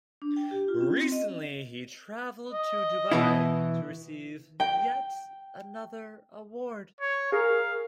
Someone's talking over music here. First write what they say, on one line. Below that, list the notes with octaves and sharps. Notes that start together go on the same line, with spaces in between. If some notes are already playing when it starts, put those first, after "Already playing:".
Recently, he travelled to Dubai to receive yet another award.
D4
G5
G4
F4
C#4
C4
D#5
D#5
B2 E3 E4
G5
C#5
G#4 A#4 F5